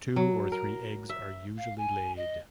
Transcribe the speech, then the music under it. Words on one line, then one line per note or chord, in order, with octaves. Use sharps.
Two or three eggs are usually laid.
F#3
A#4
E5
F5
G#5
D#5